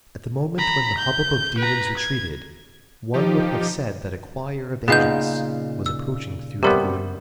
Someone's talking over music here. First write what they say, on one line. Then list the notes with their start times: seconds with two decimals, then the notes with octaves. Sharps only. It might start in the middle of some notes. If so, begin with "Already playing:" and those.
At the moment when the hubbub of demons retreated, one would have said that a choir of angels was approaching through the gloom.
0.58 A#5 B5
0.98 G6
1.58 B4 A#5
1.97 G#6
3.14 F3 D#4 G4
4.88 A#2 C#3 B3 D#4 G#4 F#5 G6
5.86 E6
6.63 C3 G3 B3 G4 A#4